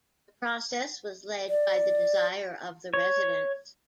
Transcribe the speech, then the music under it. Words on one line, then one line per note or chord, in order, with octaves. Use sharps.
The process was led by the desire of the residents.
D5
C#5